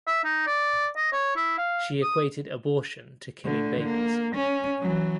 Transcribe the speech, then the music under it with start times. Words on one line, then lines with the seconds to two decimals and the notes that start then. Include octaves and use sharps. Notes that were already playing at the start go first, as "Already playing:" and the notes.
She equated abortion to killing babies.
0.07 E5
0.24 D#4
0.47 D5
0.96 D#5
1.12 C#5
1.36 E4
1.58 F5
2.03 D#6
3.44 D3 A3
3.85 A#3
4.36 C#4
4.81 E3 F#3